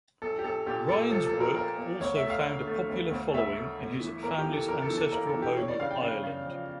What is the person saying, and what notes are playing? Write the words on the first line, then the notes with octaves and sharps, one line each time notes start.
Ryan's work also found a popular following in his family's ancestral home of Ireland.
A#1 A4
G4
A#1 A4
A#2 G4
A#2 A4
F3 A4
A4
A#3
A#4
A#3 A#4
A#3
D2 C#5
E5
A3
F5
D3
A3
D2
D2
D2 E5
A3
G1
E3
A#3 A#4
G4
E3
A4
E3 A#4
A4
E3
A4
A#3 A#4
A4
E3
G4
C#4 C#5
D5
C#3 F5
G5
C#3
C#3
F3